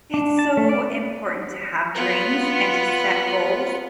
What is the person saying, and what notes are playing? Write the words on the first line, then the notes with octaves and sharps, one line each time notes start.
it's so important to have dreams and to set goals,
D4
A5
A3
D5
B3 F4